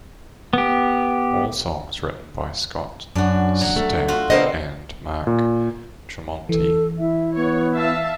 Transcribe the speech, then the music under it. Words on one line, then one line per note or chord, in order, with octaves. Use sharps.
All songs written by Scott Stapp and Mark Tremonti.
B3 G4
F#2 D4 F#4
F#3
A3
F4 F#4
B2 D3 C4 A#4 C5 D#5
A#2
E3 A4
E4 E5
B3 C#5
E5 F5 A5